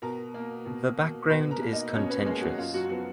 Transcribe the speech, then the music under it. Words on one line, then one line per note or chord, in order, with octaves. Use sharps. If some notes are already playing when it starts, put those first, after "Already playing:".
The background is contentious.
B2 A#4 A#5
A#3
B2
A#3
B2 B4 B5
A#4 A#5
A#3
D#4 D#5
B2 C#4 C#5
B3 B4
G#3 A#3 G#4
F#3 F#4
F#2 F4
F#3 F#4
F3 F#3 B3 F#4